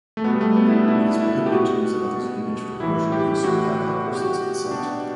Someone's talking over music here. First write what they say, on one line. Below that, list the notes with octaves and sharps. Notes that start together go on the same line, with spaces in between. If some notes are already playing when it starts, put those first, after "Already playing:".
It is prohibited to use another's image for commercial use without that person's consent.
A3
B2 B3
G3
A3
B3
E4
D4
B2 E4
E4
G4
B2 F#4
B2
A2 E3 E4
G4
A2 E3 F#4
B2 F#4
G4
F#4
B2 D4